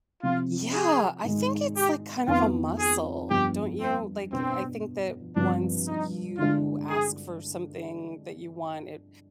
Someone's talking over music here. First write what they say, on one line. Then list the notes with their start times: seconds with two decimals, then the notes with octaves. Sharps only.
Yeah, I think it's, like, kind of a muscle, don't you? Like, I think that once you ask for something that you want, it
0.23 C3 F3 C4 F4
0.74 G#4
1.25 G#2 D#3 G#3
1.77 G4
2.28 F2 D#3 B3 F4
2.79 G#4
3.31 G2 F3 B3 D4 G4
3.81 C4
4.33 B2 B3 C4 D4
5.36 G2 F3 C4 D4
5.88 D#4
6.38 D3 G#3 D4 F4
6.89 G#4